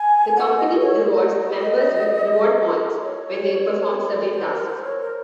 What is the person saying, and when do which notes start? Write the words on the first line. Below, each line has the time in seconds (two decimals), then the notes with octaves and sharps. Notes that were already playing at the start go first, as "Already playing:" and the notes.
The company rewards members with 'reward points' when they perform certain tasks.
Already playing: G#5
0.36 F#5
0.58 D#5
0.81 C#5
1.02 D#5
3.01 C#5
4.34 C5
4.50 A#4
4.67 C5
4.84 C#5
5.00 A#4